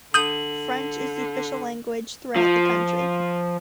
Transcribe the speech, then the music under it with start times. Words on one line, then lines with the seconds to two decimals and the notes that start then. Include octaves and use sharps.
French is the official language throughout the country.
0.14 D3 D#6 G6 D#7 F#7
2.36 F3